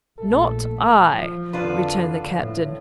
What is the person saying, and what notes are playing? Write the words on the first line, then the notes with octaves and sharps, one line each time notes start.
"Not I," returned the captain.
A#1 A3 A4
F3
F2 D3 D4 F4 B4
A2